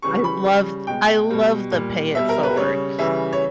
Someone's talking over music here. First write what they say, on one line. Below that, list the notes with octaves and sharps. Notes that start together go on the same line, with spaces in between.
I loved I loved the "pay it forwards."
C#3 E3 G3 C#6
B5
C#3 G3
B2 G#3 G5
B2 G3
A#2 G3
B2 G3 E5
A#4
B4
C#3 G3 C#5
C#3 E3 G3 E5
C#5